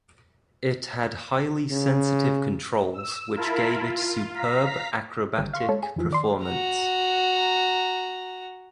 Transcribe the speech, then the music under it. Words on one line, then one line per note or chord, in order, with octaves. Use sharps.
It had highly sensitive controls which gave it superb aerobatic performance.
C#3
E6
E4 F4 A#4 A5 B5
F4
F5 A#5 B6
G#1 D3 D#3 G3
F5 C6 C#6
G#3 A4 C#5
G#4
F2 E3 F3
D#3 D5 C6
F#4 A#5